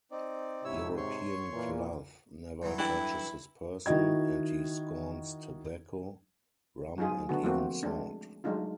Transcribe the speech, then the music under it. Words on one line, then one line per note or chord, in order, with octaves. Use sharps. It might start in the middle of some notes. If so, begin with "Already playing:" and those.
European cloth never touches his person, and he scorns tobacco, rum, and even salt.
C4 D#4 D5
G#2 C3 E4 C#5 E6
C#5 C6 C#6
A#2 E3
G2 E3 F#3
D4 E4 A4 G5
D#3 E4 F#4 D#5 G#6
F#3 D#4 F4 G#4
D3 A3 B3 F#4
F3 A3 A#3 C4 F#4
G#3 A3 D4
F#3 G#3 A3 D4 D#4 F4